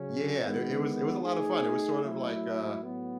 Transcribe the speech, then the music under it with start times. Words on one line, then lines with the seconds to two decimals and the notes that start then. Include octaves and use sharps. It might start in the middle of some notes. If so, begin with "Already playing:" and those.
Yeah, th it was it was a lotta fun, it was sort of, like, uh
Already playing: C#3 F#3 C#4
0.40 D#3 G#3 B3
1.21 A3 D#4 G#4
2.02 F#3 A3 E4
2.81 A2 F#3 B3